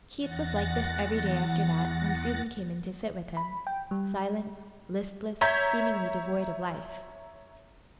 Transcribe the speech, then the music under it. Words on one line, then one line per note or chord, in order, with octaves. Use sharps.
Keith was like this every day after that, when Susan came in to sit with him--silent, listless, seemingly devoid of life.
E2 F#5 A6 A#6
B5
G5
G3
C#5 E5 A#5 G6 G#6 B6